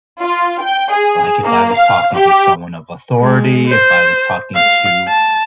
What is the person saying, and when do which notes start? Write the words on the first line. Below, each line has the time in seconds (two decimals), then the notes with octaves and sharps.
like, if I was talking to someone of authority, if I was talking to
0.20 F4
0.62 G5
0.92 G#4
1.44 A#3
1.76 F5
2.15 G4
3.20 G#3
3.68 C5
4.55 F5
5.08 A5